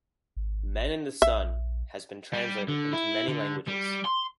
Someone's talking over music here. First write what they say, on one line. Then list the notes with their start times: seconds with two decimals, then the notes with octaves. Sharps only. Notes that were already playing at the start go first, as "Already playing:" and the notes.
"Men in the Sun" has been translated into many languages.
0.37 G#1
1.22 A#1 E5
2.33 G3
2.68 D3
2.93 E4
3.28 D3
3.68 G3
4.05 C6